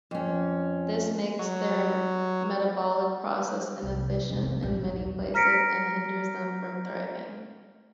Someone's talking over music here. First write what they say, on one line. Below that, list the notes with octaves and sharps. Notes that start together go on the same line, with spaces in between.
This makes their metabolic process inefficient in many places and hinders them from thriving.
F2 C#4
F#3
C2
C3 G3
C4
A#1 F#3
D#2
A#5 F6 A#6 B6 C#7 D7